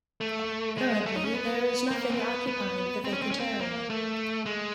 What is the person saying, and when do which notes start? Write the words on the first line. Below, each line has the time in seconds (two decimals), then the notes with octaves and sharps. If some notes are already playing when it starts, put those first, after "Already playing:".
Currently, there is nothing occupying the vacant area.
0.21 A3
0.78 G#3
1.06 A3
1.16 D#4
1.25 C#4
1.34 B3
1.91 A#3
2.10 C4
2.20 B3
2.47 B3
3.04 C4
3.13 C#4
3.22 C4
3.31 C#4
3.39 C4
3.61 A#3
3.90 A3
4.46 G#3